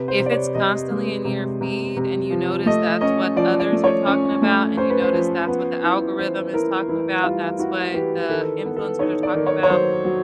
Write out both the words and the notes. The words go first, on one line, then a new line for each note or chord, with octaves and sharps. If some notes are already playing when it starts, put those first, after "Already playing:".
if it's constantly in your feed and you notice that's what others are talking about and you notice that's what the algorithm is talking about, that's what the influencers are talking about,
Already playing: C3 B4
C5
C3
D5
C#5
C3 D#5
G#3
C3
C3
C3
F3
A3 D#5
C#4 D#5
F3 D5
D5
A3
C#5
C#4
A3
C#4 C5
B4
C5
F3
B3
E4
E3 C5
E4 A#4
E3 E4
G3 F4
E4 F#4
E3 G4
D#3 A4
B3
A4
D#4 C#5
D5
D#3
C#5
C#5
F#3 C5
F#3